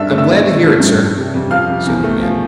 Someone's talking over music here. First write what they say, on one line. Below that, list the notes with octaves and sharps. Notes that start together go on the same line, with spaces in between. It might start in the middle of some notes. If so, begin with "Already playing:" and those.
"I'm glad to hear it, sir," said the man.
Already playing: G2 D4 E5 E6
A3
E5 E6
B2
A3
F3
G2
G3
C3
F2
F3 F5 F6
C3
E2
A3
F3